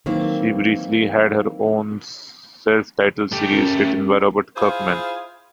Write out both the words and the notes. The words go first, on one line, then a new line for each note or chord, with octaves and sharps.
She briefly had her own self-titled series, written by Robert Kirkman.
D#3 E3 F#3 A#3 C4
A3 G4
C#4 A#4
E4 F4 G#4 C5 F5